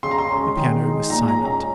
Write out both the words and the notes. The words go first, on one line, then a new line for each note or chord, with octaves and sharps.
The piano was silent.
C#3 C6
A#5
C6
G#3 C#4
D#3
G#3 D#4
A#2 A#5
A#5
G#3 C#4
A#5